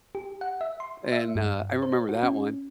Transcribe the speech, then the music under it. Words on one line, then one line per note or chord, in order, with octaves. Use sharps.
and, uh, I remember that one,
G4
F#5
E5
C6
E5
G2
C5
F#4
C#4